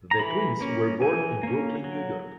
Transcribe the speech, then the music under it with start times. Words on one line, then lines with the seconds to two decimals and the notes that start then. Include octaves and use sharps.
The twins were born in Brooklyn, New York.
0.11 A#5
0.19 E3 B5
0.61 A#3 C#4
1.02 E3 G#5
1.43 A#3 C#4
1.84 F#3